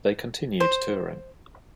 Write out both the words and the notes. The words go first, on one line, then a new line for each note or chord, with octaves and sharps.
They continued touring.
C5